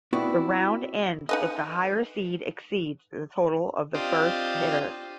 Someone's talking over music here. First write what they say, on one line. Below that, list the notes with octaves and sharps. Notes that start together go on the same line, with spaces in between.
The round ends if the higher seed exceeds the total of the first hitter.
B3 C4 E4 F#4 B4 D5
D#4 B4 D#5
C4 D4 F4 G4 D#5